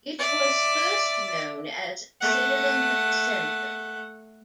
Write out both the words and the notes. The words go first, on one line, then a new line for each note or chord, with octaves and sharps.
It was first known as Salem Center.
D5 E5
A3 F#5